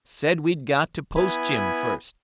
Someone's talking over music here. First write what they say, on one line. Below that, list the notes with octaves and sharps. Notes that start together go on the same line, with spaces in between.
Said we'd got to post Jim first.
B3 E4 G#5 B5